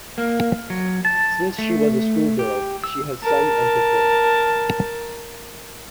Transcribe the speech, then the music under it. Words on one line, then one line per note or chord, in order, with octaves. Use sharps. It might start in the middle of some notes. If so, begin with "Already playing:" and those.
Since she was a schoolgirl she has sung and performed.
A#3
F#3
A5
A3
G4
E6
A#4 A5